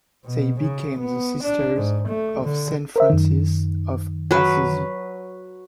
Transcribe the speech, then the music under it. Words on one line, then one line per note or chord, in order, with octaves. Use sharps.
They became the Sisters of Saint Francis of Assisi.
B2
C#3
B3
D4
G#2
A3
D3
A#4 C5 E5
F#2 D#3
F#3 B4